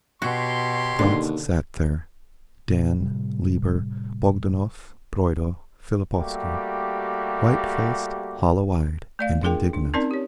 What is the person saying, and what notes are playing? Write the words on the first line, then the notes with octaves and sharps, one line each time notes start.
Gotz sat there, Dan, Lieber, Bogdanov, Broido, Fillipovsky,--white-faced, hollow-eyed and indignant.
B2 F#4 G4 C#5 C6
D#2 D3
A#2
A2 C3 G3
G3 A3 A#3 F#4 G4
A3 D5 F5
D4 F4 G#4 A#4 G5
D4
C4 C#4 D#4 A#4 D5 A5
G4 C#5